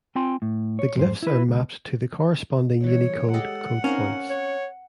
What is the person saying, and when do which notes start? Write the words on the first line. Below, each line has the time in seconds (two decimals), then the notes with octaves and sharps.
The glyphs are mapped to the corresponding Unicode code points.
0.15 C4 F4 G5 G#5 C6
0.42 A2
0.79 C#5
0.95 F2 G#2 C5
1.23 E4 B4
1.48 C#2
2.84 E3 G3 C#5
3.33 G#3 G4 A4 D#5 F#5
3.84 C4 C#4 D#4 A#4 F5
4.30 C#5